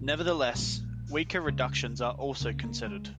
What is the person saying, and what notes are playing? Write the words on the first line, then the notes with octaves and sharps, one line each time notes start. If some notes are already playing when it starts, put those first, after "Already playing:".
Nevertheless, weaker reductions are also considered.
Already playing: A#1 A#2 E3
A#1 A#2 G3
C#2 C#3 G#3
C#2 C#3 A#3
A#3
G#3